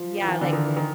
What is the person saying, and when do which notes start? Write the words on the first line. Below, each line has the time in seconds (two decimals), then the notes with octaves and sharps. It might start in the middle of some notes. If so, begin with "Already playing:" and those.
Yeah, like
Already playing: F3
0.22 E3
0.29 D#3
0.41 D3
0.53 D#3
0.64 E3
0.77 D#3